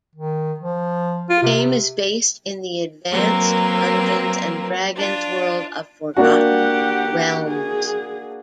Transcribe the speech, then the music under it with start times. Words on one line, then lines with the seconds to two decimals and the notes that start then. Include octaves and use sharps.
The game is based in the "Advanced Dungeons and Dragons" world of Forgotten Realms.
0.15 D#3
0.59 F3
1.29 F4
1.43 C3
3.10 F#3 A#3 C4 A#4 B4
4.96 D4 F4
6.17 A#3 D4 F#4 G4 F#5
7.48 G#4